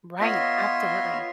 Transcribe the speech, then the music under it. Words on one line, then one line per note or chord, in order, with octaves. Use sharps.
Right. Absolutely.
B3 F4 C#5 D#5 E5 C6